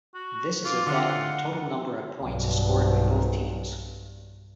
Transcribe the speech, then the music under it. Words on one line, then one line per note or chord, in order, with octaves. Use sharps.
This is a bet on the total number of points scored by both teams.
F#4
F4 D6
D3 F#5
B1 G2